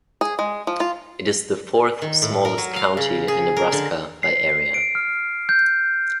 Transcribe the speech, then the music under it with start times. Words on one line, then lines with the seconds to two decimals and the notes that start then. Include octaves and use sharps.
It is the fourth-smallest county in Nebraska by area.
0.21 G#4
0.39 G#3
0.67 F3
0.80 F4
2.02 D#3
2.22 A2
2.45 A#4
2.58 F#3
2.76 F5
2.97 C#3
3.28 G#4
3.56 A#4
3.72 D3
4.23 C7
4.74 D7
4.95 F6
5.49 G6